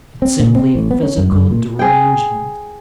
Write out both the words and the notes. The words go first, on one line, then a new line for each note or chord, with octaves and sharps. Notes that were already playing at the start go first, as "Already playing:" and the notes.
It's simply physical derangement.
C4
A#2
C4
A1
B3
C#4
F#2
F#2
A#2
G#4 G5